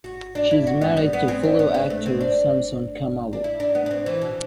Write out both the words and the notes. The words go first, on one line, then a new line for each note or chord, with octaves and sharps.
She is married to fellow actor Samson Khumalo.
F#4
D4
E4
F#4
B3
G3
B3
C4
D4
B3
B3
A3
C4
D4
D4
E4
D4
B3
D4
C4
E3
B2